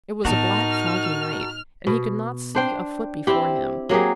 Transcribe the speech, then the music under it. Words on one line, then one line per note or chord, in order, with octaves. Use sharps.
It was a black, foggy night, and he could not see a foot before him.
A2 B3 D#4 F#4 A#4 A5 F6
B2
D4 C5 G5
C4 E4 G4
F#3 A#3 G4 G#4